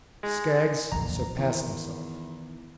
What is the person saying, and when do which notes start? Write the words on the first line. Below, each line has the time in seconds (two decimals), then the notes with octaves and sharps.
Skaggs surpassed himself.
0.23 G#3
0.92 D1 A#1 E2 A#5
1.39 E2 D#3